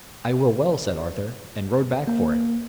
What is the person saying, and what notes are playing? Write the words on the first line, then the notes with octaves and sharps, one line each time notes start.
"I will well," said Arthur, and rode back for it.
A#3